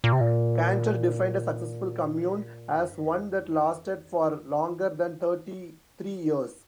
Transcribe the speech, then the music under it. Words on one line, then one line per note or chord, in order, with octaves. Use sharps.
Kanter defined a "successful" commune as one that lasted for longer than thirty-three years.
A#2
C3
A#2
F2
G2
F2
G2